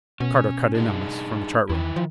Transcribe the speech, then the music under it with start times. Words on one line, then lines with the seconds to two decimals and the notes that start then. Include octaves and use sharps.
Carter cut in on us from the chart room.
0.20 B2 C#4
0.75 D4 D#4 G#4
1.70 E2 D#3 E4
1.96 F3